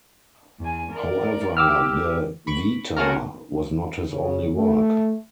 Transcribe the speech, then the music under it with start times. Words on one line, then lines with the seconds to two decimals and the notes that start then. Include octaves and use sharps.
However, the "Vita" was not his only work.
0.60 E2 G#5
0.92 A#4 D5
1.57 G4 G5 D6 E6 F6
2.47 B5 C#6 D7
2.97 A#3 C#4 F#4 A4 A#4
4.10 C#3
4.56 A3